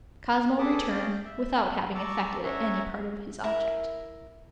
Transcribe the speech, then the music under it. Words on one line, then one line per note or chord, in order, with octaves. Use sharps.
Cosmo returned without having effected any part of his object.
G#4 A4 B4 A5 D6 D#6
C#4 G#4 D5 D#5 F5 G5
G6
E5
A5 A#5 C#6 D6 E6
C#4 C#5 E5 F#5 G#5 A#5
E4 A#4 E5